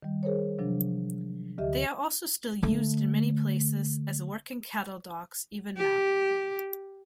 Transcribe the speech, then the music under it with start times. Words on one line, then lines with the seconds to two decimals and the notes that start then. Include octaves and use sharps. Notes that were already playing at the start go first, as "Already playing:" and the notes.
They are also still used in many places as working cattle dogs even now.
0.02 D#3 G3
0.23 G#4 A#4 C5 C#5
0.59 C3 F3 F#3 D4
1.58 D2 D3 G4 D#5 E5
2.63 D3 A3
5.77 G4